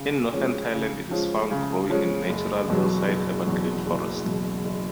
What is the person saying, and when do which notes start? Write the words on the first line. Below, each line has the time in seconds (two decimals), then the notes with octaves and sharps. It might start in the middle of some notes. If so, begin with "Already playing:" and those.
In Northern Thailand it is found growing in natural hillside evergreen forest.
Already playing: C#3
0.33 F3 G#3 C#4
0.72 C#3
1.11 F3 G#3 C#4
1.50 C#3
1.89 F3 G#3 C#4
2.29 F#1
2.68 E2 B2 F#3
3.07 F#1
3.46 E2 B2 F#3
3.86 F#1
4.25 E2 B2 F#3
4.64 F#1